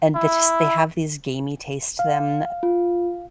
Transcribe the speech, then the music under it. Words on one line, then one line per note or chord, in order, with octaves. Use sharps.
and they just they have these gamey taste to them
E4
F5
F4